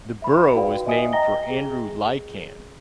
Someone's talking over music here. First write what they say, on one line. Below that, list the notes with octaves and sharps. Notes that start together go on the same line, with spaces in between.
The borough was named for Andrew Lycan.
E5 B5
D#4 F#4 B4 D5 F5 G5
D#5 E5 G#5 D#6
D#5 G5 A#5 A#6 G7
G#4